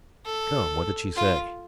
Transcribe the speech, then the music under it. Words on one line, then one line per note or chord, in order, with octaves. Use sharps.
"Come, what did she say?"
A4
F4